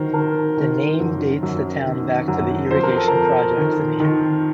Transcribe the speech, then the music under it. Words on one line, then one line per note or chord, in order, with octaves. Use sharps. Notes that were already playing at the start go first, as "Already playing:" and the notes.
The name dates the town back to the irrigation projects in the area.
Already playing: D#3 F#3 A#4 C5
D#3 A#4
D#3
F#2
F#2
D#3
F#2
F2 C5
A#4
A4
A#4
F2
D#3
D#3